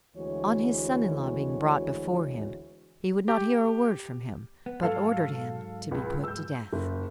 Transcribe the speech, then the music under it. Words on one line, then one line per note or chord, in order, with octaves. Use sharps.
On his son-in-law being brought before him, he would not hear a word from him, but ordered him to be put to death.
D2 E3 G#3 F#4 C#5
G4
B3
G#2 F#3 A4 F5
C#2
E6 G6
F#1